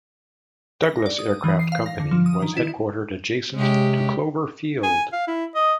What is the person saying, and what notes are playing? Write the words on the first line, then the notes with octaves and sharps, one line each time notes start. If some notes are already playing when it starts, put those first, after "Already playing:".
Douglas Aircraft Company was headquartered adjacent to Clover Field.
A#6
D5
D#6
E3
C7
F5
A#6
D3
F3
D#6
D#3
E4
C3 G#3 C#4 G4
G#5
F5
E4
D#5